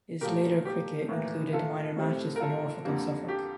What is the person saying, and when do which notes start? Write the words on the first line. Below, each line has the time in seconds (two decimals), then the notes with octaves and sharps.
His later cricket included minor matches for Norfolk and Suffolk.
0.21 A#2 F3 A3 G4 A#4
0.65 G4
1.09 A2 E3 A#3
1.53 F4 A4
1.97 A2 G3 C4
2.36 A#4
2.40 F4 A4
2.85 F2 D3 G3 A#3
3.28 G4